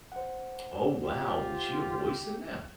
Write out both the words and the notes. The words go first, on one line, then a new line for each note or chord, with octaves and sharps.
Oh, wow! Was she a voice in that?
C5 F#5
F4 G4